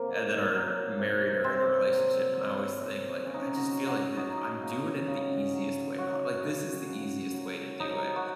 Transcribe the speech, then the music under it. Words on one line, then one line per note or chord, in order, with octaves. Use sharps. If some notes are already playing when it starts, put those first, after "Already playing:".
and then are married or in a relationship, and I always think, like I just feel like the I'm doing it the easiest way po like, this is the easiest way to do it,
Already playing: C3 A#3
F#3
F#3
C3
C3 C4
F#3
F#3
C3
C#3 C#4
D#4
C#4
F#4
F#3
F#4
F#3 D#4
C#3
C#3
F#3
F#3 F#4
C#3
C#3
F#3
F#3 D#4
F#4